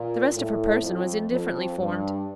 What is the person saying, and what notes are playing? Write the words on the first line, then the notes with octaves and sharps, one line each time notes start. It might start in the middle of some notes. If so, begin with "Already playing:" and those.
The rest of her person was indifferently formed.
Already playing: A#2
A2
F2
F2
G2